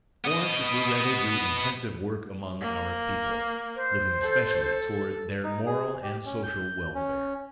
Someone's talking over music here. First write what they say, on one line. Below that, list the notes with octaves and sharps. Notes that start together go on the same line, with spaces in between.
Or should we rather do intensive work among our people, looking especially toward their moral and social welfare?
B3 D#5
A#3
C5
A4
D#4
G#4
G4
C#4
G6
C#4